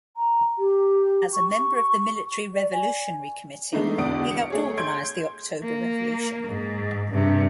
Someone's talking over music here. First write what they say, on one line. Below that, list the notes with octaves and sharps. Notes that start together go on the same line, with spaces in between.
As a member of the Military Revolutionary Committee he helped organize the October Revolution.
A#5
G4
C#6
D5
G#5
E3 G#3 A3 B3 D4 D#4
B1 E2 D3 D5 D#6 D7
C#7
A3 G#4 C#5
C6 G6 G#6 D7
A#3
G#2
G2 C3